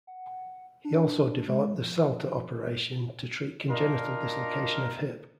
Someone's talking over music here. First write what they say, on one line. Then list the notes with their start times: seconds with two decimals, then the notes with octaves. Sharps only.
He also developed the Salter operation to treat congenital dislocation of hip.
0.07 F#5
0.84 D4
1.48 G#3
1.74 F3
3.69 D4 D#4 F4 A#4